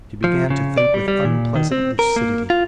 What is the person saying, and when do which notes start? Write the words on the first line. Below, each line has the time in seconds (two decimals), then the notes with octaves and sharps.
She began to think with unpleasant lucidity.
0.24 F3
0.50 C#3
0.78 D5
0.94 G3
1.08 G3
1.25 A#2
1.56 D#3
1.72 C4
1.99 A#4
2.16 A#3
2.50 F4